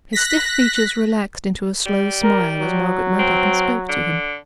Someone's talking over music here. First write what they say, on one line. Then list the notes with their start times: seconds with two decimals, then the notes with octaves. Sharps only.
His stiff features relaxed into a slow smile as Margaret went up and spoke to him.
0.13 F#6 A#6 B6
1.86 G3
2.23 A#4
2.59 F#3
3.19 C4
3.89 D3